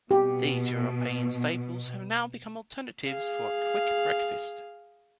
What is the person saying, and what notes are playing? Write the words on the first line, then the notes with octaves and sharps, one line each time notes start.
These European staples have now become alternatives for a quick breakfast.
B2 G4
G#4 F5